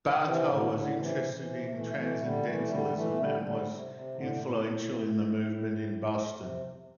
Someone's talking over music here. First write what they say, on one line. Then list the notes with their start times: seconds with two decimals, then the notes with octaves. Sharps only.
Bartol was interested in Transcendentalism and was influential in the movement in Boston.
0.22 C3 E3
0.47 A2 D3
0.72 A2 D3
0.96 C3 E3
1.33 C3 E3
1.70 E3 A3
1.94 E3 A3
2.20 D3 G3
2.44 E3 A3
2.68 D3 G3
2.93 E3 A3
3.17 D3 G3
3.42 D3 G3
3.66 C3
3.91 C3
4.15 A2 D3
4.40 A2
6.36 C3